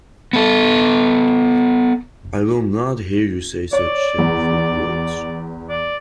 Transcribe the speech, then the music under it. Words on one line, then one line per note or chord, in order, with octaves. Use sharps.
I will not hear you say such shameful words!
B3 A4
C#5 D5
E2
D5